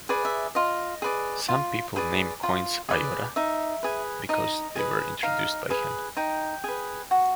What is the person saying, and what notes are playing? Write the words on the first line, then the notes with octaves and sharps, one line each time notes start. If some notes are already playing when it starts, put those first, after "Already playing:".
Some people name coins "ayora" because they were introduced by him.
G#4 B4 D5
E5
F4 D#5
G#4 B4 D5
F4
G#4 B4 D5
F4
G#4 B4 D5
D#4 E5
G#4 B4
D#4 D#5
G#4 B4
D#4 F5
G#4 B4
D#4 G5
G#4 B4
F#4